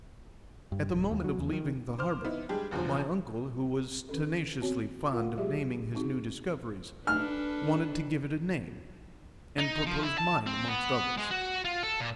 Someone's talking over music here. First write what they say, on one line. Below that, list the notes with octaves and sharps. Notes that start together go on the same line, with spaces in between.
At the moment of leaving the harbour, my uncle, who was tenaciously fond of naming his new discoveries, wanted to give it a name, and proposed mine amongst others.
G2
D#1
D#2
F#3
E2
D#3
C5 D6 F6
B3 D#4 E4 B4
G3 G#3 D4 G4 G#4
A1 E2 B2 D3 F3
D#3 C#4 A4
B3 C4 F#4 C#5
F4 A#4 F5 F#5
F#3 G#3 G4 G#4 E5
C4 D#4 F#4 G#4
D4 A4 B4 F6
D#4
F3
E4
A5
C4
B3
G#3
F#4
F4
A4
A#2